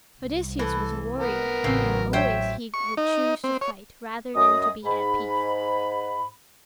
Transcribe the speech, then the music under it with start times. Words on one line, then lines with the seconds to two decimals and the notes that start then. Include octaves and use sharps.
Odysseus was a warrior, and always he would choose to fight rather than to be at peace.
0.20 C2
0.59 E3 A4
1.19 B3 A#4
1.64 A1 C#3 F#3 C4
2.13 C5 C#5 E5 G5
2.74 C#6
2.97 D#4
3.44 C4
3.61 C#5
4.35 F#2 D#5 D#6
4.84 G#2 B5